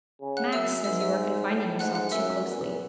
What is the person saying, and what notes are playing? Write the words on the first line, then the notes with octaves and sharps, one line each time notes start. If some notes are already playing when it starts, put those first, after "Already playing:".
Max says you are confining yourself too closely.
C#3
F#5 F#6
F#2 E5 E6
G#2 E5 E6
E5 E6
A2
G#2 F#5 F#6
F#5 F#6
F#2 E5 E6
E2